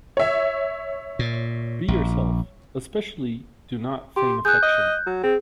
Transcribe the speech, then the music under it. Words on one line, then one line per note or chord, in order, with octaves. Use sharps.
Be yourself. Especially do not feign affection.
C#5 E5
A#2
A#1
G4 C6
G#4 F#6 G6
D#5
F#3
C4 G#4